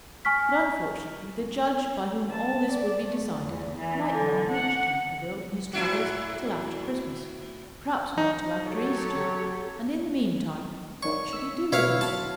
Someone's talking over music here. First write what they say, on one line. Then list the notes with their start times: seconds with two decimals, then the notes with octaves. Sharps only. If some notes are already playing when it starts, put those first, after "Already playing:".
But, unfortunately, the judge by whom all this would be decided might not reach Tankerville in his travels till after Christmas, perhaps not till after Easter; and in the meantime, what should he do with himself?
0.25 G#5 C#6 F6 B6
2.30 A5
2.71 D5
3.06 A3
3.41 E2
3.76 E3
4.12 D3
4.50 F#5
5.73 A2 E4 F#4
8.18 D#4
8.65 F#3 G4 A4 C#5
11.03 D#3 D4 C#5 C#6
11.33 E6 B6
11.72 B2 E4 C#5 F5
12.01 F#3 A5 B5 C6